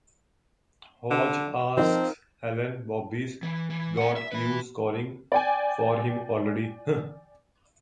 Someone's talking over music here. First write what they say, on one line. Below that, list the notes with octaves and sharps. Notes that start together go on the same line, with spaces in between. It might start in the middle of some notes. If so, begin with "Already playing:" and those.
Hotch asks Helen Bobby's got you scoring for him already huh?
D3
F3 C4 D#4 A#4
E3
E3
A#4 F#5
E5
E4 B4
D5 G5 G#5